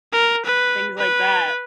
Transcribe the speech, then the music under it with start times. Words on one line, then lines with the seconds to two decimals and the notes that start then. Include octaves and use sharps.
things like that.
0.12 A#4
0.45 B4
0.97 B4